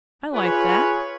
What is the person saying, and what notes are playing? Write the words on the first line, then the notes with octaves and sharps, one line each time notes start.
I like that.
F4 G#4 B4 C#5